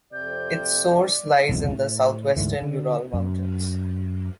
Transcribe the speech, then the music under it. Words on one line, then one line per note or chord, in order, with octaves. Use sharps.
Its source lies in the south-western Ural Mountains.
F2 C3 D5 G6
E1 C2 F2 G#2
A2
D2 G#2 D3 E3
D3
F#2